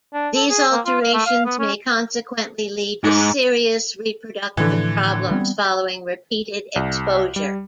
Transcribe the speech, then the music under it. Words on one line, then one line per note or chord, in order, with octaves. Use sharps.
These alterations may consequently lead to serious reproductive problems following repeated exposure.
D4
A4
G#4
A#3
F4
F5
A3
F5
B3
C#4
G#2 D#4 G#4
A2 D3 E3 F3
G3 B3 C4
C2
G3